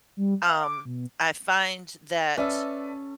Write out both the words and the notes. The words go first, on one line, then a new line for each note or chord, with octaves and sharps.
um, I find that
G3
F5
D6
B2
C#4 A4 B4 D5 E5